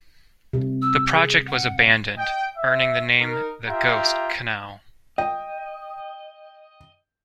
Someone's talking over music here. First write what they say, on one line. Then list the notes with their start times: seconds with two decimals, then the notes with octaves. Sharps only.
The project was abandoned, earning it the name "The Ghost Canal".
0.53 C3
0.82 E6
1.13 G#4
1.47 F#5
2.17 D#5 G5
2.55 E5
3.19 D#4 A#4
3.67 F4 G4 E5 G5 A#5
5.18 D#5 G5